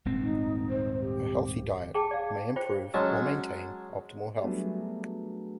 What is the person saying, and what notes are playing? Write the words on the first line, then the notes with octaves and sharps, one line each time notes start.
A healthy diet may improve or maintain optimal health.
D#1 G#2 C4
D#4
C5
G4
G#4 G5 A5 D6
D5 F5
F4 C5 G5
F#3 G#3 C#4 A5
F#3 G3 A3 B3 D4 G#4